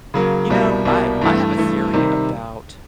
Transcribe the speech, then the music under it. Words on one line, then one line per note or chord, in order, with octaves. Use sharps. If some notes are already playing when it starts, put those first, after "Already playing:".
you know, I I have a theory about
C#3 F#3 A#3
C2 B2 G3 A#3
C2 B2 G3 A#3
G2 E3 A3
G2 E3 A3
C3 D#3 G3